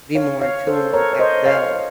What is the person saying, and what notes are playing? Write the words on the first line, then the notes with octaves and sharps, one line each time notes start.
be more in tune with ourself,
C#5 F5
C#5 F5
A4 C5
A#4 C#5
C#5
C5 D#5
C#5 F5